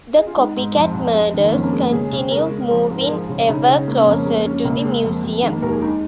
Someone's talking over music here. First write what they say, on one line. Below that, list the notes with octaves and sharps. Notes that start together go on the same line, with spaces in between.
The copycat murders continue, moving ever closer to the museum.
G#4
F4
G#3 D#4
G#2
F2
F2
G#3
D#3
A#3
F2 C#4
A#3
G#3
A#3
C#3 G#4
C#3
G#3 A#4
G#3
F3
G#2
A#4
F3 G#4
C#3
C#3 D#4
C#3
G#3 A#3
C#4
F2 A#3
G#3 A#3
G#3 C#4
C#2 A#3
G#3
F2 A#3
F2
D#3 G#3
A#3
D#2 A#4
G#4
G#3 D#4